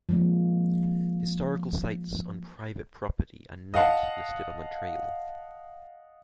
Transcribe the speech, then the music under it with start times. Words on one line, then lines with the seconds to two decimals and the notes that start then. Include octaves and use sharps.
Historical sites on private property are not listed on the trail.
0.09 F3 G#3 A#3
3.74 D#5 F5 F#5 A5